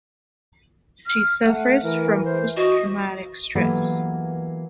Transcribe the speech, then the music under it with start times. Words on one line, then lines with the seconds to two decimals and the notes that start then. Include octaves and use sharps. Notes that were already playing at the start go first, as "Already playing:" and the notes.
She suffers from post-traumatic stress.
1.06 F6
1.45 A3 F#5
1.83 E3 A#4
2.25 C5
2.57 F#4 D#5
3.55 E3 F#3 A#3 B3 G4 A4